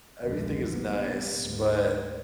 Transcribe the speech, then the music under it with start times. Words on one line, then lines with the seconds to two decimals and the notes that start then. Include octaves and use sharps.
everything is nice, but,
0.23 F1 A#1 D#2 D3 E3 G#3
0.70 C3 G3 A#3 B3
1.43 D2 G#2